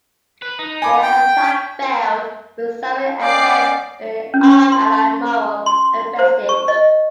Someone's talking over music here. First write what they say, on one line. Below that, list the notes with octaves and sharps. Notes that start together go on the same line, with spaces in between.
The attack failed, with severe effects on Allied morale and prestige.
B4
D#4
G#5 B5 D6
G5
C#4 D5 D#5 G5 D6 C7
C#4
C6
C6
C5
C#6
D#5